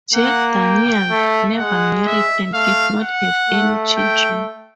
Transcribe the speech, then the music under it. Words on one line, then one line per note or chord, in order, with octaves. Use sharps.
Jack Daniel never married and did not have any children.
A#3 F#5
G5
A3
G#3 F#5
E5
A3 F5
F#5
A3
G5